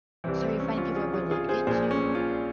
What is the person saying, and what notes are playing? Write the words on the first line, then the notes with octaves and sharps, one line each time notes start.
So, you're finding people are reluctant to
C2 C3 E3 C4 E4
C4
C#4
C#4 F4
F4 G#4
F4 G#4
F4 G#4
G#4 C5
A#1 A#2 G#4 C5
C#4
C#4 F4